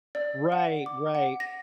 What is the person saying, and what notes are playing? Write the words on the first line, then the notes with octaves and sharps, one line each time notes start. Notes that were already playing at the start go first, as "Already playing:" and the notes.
Right, right.
D5
F#5
D6
F#5
A#6